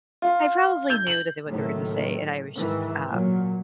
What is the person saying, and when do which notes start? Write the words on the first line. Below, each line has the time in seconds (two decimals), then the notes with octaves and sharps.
I probably knew that they what they were gonna say, and I was just, um,
0.22 F4
0.90 G6
1.07 F#7
1.46 F#1 A2 D#3
2.56 G#2 D#3 E3
3.10 A#2 F#3